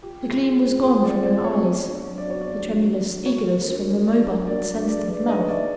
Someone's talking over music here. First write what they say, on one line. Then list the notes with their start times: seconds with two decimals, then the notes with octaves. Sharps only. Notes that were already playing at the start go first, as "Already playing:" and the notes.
The gleam was gone from her eyes; the tremulous eagerness from her mobile and sensitive mouth.
0.02 F4 G4
0.23 G#4
0.43 C4
0.63 C5
0.83 F4 G#4
1.04 G#4 D5
1.23 C4 D5
1.44 C5 C#5
1.64 B3
1.85 D4
1.91 C#5
2.04 F#3
2.18 D5
2.25 F#4
2.30 C#5
2.41 B3 D5
2.65 D4
2.85 F#3
3.06 F#4
3.26 F#4 C#5
3.46 A#4
3.66 D4
3.86 D4
4.07 F#4 D5
4.27 A#4
4.47 D4 D5
4.67 D4
4.88 G#4 D5
5.08 B4 D5
5.28 D#4 D#5
5.39 C#5
5.48 D5 E5